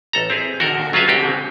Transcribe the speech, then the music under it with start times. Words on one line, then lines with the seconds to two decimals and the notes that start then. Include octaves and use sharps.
and, um
0.13 A1 A4 A#5
0.30 C4 E4 G#4
0.60 F#4 A4 A#4
0.93 F#3 F4 G#4 B4 E5 F5
1.08 C4 F#4 G4